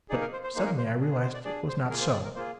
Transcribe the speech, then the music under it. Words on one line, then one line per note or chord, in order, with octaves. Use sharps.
But suddenly I realized it was not so.
A#3 D#4 G#4 D5
A#4
C5
C5
A#3 D#4 G#4 C5
A#4
C5
D4 G#4
C5
C5
D5
D4 G#4 D5
C5
A#3 F4 G#4 A#4
C5
D5
A#4
A#3 F4 G#4 C5